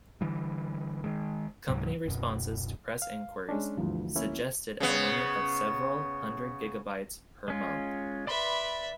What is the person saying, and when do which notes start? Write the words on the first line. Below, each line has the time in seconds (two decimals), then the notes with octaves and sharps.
Company responses to press inquiries suggested a limit of several hundred gigabytes per month.
0.21 D3 E3 G3
1.04 D#3 G#3
1.68 C#2 G#2 C3 F#3
2.05 D1 F#2 B2
3.02 F5
3.49 G#3 C#4 D4
3.77 D2 G2 E3 F3
4.16 A#3 C#4 E4
4.80 C#3 B3
7.48 G#3 C#4 F4
8.27 B4 D5 E5 B5 C6